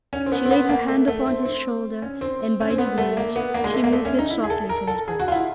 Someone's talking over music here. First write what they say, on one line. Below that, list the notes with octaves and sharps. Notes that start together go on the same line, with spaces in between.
She laid her hand upon his shoulder, and by degrees she moved it softly to his breast.
C#4
C4
B3
C4
B3
A#3
A3
A3
C4
C4
C#4
C4
C#4
C4
B3
A3
A#3
B3
A#3
G#3
A3
A#3
A3
C#4
D#4
E4
G#4
A4
A#4
A4
G#4
F#4
F4
E4